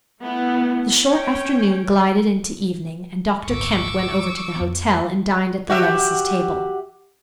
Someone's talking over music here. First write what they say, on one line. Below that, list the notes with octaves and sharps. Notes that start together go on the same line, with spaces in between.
The short afternoon glided into evening, and Dr. Kemp went over to the hotel and dined at the Levices' table.
A3 B3 E4
C#4 C#5 G5
G#1 D2 A#2 C#6 D6 E6
F2 B3
F#4 G4 E5